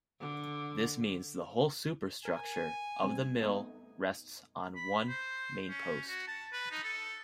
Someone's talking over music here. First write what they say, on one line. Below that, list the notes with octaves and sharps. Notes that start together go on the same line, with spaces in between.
This means the whole superstructure of the mill rests on one main post.
D3
A#4 G#5
C#3 G3 C4
A3 B3 D#4
B5
C5
C#4
F#4
A5
B4
D#4
A4